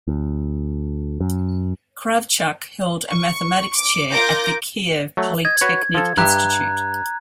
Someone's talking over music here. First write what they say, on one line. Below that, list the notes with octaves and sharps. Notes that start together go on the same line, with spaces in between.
Kravchuk held a mathematics chair at the Kiev Polytechnic Institute.
D2
F#2
C#6
D6
F4 A#4 D6 G6 A#6
F#3 A3
D#5 G#6
F#4 B4 C#5
F3 A4
G2 G4 E5 A#5 F#6